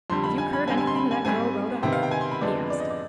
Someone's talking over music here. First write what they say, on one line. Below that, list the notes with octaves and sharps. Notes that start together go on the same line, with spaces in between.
"Have you heard anything of that girl Rhoda?" he asked.
F2 D3 G3 C6
B5
G#5
B5
D3 G3 C4 G#5
G#5
C6
B5
G#5
G#2 G3 C4 G#5
C3 D#3 B3 G5
F5
G5
G#5
C6
B5
F2 D3 G#3 B3 D5
D5
D#5
D5